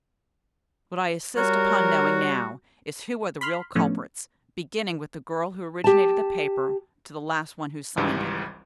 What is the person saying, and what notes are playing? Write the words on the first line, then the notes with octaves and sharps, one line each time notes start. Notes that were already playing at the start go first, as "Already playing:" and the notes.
What I insist upon knowing now, is who are the real culprits, beginning with the girl who originated the paper to the last one who signed it.
G3 F#4 A#4 C#5
B5 C6 F6
A2 F3 A3 B3 C#4 D4
G4 A5
G#1 C#2 G#2 E3 G3